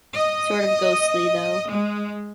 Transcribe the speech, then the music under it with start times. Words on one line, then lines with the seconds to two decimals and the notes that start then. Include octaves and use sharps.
Sort of ghostly, though.
0.13 D#5
1.68 G#3